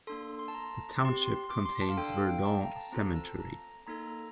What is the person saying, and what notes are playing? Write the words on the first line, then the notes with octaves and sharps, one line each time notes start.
The township contains Verdon Cemetery.
A#3 D4 A4 C6
C6
A5
A#5
C4 G4 C6
C6
D6
C6
A5
F5
D4 A4 G5
F5
G5
A5
A#5
A5
C4 F4 A4 A#5
A5
A#5
A#3 D#4 A4 A#5
A#5